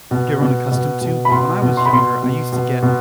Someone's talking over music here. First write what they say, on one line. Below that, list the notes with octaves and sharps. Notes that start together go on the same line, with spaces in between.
given accustomed to, but when I was younger, I used to get
B2
B2
B2
B2
B5
B2 C6
B2
C6
B5
B2 C6
B2
B2
B2